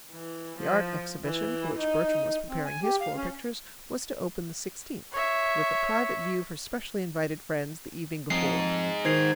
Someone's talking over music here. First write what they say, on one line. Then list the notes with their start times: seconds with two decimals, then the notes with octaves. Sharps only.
The Art Exhibition, for which Bertram was preparing his four pictures, was to open the sixteenth, with a private view for specially invited friends the evening before.
0.12 E3
0.59 F3
1.25 E3
1.79 D#4
2.49 C4
2.65 G#5
2.83 G4
3.01 F5
3.17 C#4
5.12 C#5 E5
8.30 F2 G#3 D#4 C7
9.05 D#3 C5 G#6 C7